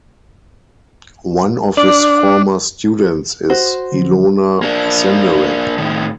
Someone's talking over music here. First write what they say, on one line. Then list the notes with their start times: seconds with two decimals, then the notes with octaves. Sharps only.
One of his former students is Ilona Senderek.
1.77 D4 D5
3.50 F#4 C5
3.92 D3 F3 F#3
4.63 A#3 D4
5.78 A2 D#3